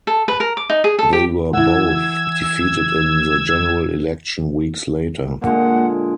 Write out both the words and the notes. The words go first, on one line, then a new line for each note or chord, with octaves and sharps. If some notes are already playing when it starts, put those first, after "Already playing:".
They were both defeated in the general election weeks later.
A4
B4
A#4
D6
D#4
G#4
A4
G4
E3 F#5 E6 G#6
A#2 D3 G#3 A#3 F#5